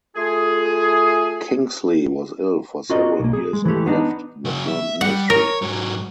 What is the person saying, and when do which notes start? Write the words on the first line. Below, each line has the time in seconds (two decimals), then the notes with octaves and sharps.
Kingsley was ill for several years and left the film industry.
0.17 A3 F4 G#4
2.90 C#4 F4 F#4 A#4 D5 D#5
3.20 B1 A#3
3.33 G#4
3.53 G#3
3.65 E3 G#3 A3 G4
3.86 B3 D4 D#4
4.45 C#3 F#3
4.68 E5
5.01 G3 F#5
5.30 A#4 C#5
5.62 G#2 F#3